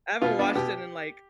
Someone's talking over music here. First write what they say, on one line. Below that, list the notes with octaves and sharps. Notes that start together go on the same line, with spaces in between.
I haven't watched it in, like,
B2 F4
B3 D4
B2 G4